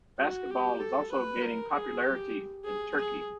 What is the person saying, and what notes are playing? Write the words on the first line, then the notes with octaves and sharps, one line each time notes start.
Basketball is also gaining popularity in Turkey.
F#4
G4
A4
B4
A#4
G#4
G4
G#4
G#4